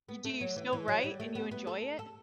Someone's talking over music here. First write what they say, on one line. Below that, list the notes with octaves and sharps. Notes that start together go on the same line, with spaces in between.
you do you still write and you enjoy it?
B3
A3
F#3
E3
E3
F#3
G3
A3
B3
B3
A4
A4